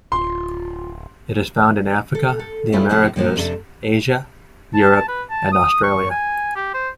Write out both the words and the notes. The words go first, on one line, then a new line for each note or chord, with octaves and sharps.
It is found in Africa, the Americas, Asia, Europe and Australia.
D1 F4 C6
A4
A4
G3 A3 C#4 E4 F4
A2 C3 F3 A3 E4
G2 A#2 F3 A#3
F2 C3 A3 D4 F4 A4
A5
B4
A5
D#6
C#6
G#5
G4
C5